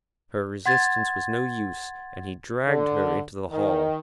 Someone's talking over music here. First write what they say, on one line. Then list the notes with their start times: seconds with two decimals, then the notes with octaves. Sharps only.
Her resistance was no use, and he dragged her into the hall.
0.66 F#5 C6 G#6 A6
2.68 D3
3.51 D#3